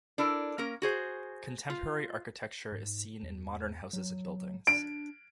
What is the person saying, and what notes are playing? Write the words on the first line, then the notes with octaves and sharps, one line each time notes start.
Contemporary architecture is seen in modern houses and buildings.
D4 E4 A4 A#4
A#3 C#4 A#4
F#4 G#4 C5
F4
G#2
E2
F#3
D4 D7